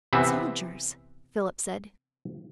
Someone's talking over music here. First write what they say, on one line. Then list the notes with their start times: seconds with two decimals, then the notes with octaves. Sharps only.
"Soldiers!" Philip said.
0.13 C3 E3 B3 C4 E5